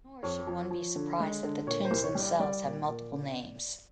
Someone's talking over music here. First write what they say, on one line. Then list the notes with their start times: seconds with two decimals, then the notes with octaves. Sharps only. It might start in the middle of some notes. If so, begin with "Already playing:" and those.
Nor should one be surprised that the tunes themselves have multiple names.
0.23 F2 C#5
0.47 F3
0.71 F3
0.96 D3
1.20 G#3
1.43 D3
1.67 A#2 C#5
1.85 C5
1.91 C2
2.04 C#5
2.15 G3
2.22 D5
2.40 G3 D5
2.64 A#2
2.88 A#2
3.12 C#3